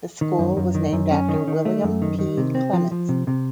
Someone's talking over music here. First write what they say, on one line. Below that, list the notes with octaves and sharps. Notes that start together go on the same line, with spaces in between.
The school was named after William P. Clements.
D#3
F#2
F#2
D#3
F#2
C#4
D#3
D#3
A3
F#2
D#3
D#3
C3
C4
F3
F3
C3
C3